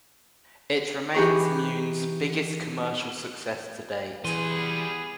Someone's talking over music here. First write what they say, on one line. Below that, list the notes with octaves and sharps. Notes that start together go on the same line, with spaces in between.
It remains Mune's biggest commercial success to date.
E3 D#4 G4 G#4 A#5 C#6
E3 G3 B3 G#4 C6 D#7